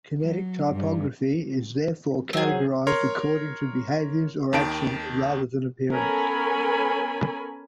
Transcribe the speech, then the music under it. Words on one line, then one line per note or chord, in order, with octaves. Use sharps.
Kinetic typography is therefore categorised according to behaviours or action, rather than appearance.
F#3
G2
F#3 C4 G#4
A#4 C#5 C6
D#2 D#3 A5 D7
B3 C#4 A4 A#4 G#5 B5